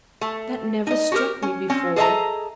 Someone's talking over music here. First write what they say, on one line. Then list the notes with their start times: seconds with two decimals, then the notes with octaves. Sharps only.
"That never struck me before."
0.21 A3
0.87 D#4 D#5
1.12 F#4 G4 A#4
1.42 C#4
1.70 C4 C#4
1.96 G#4 A4 D#5 E5 A5 A#5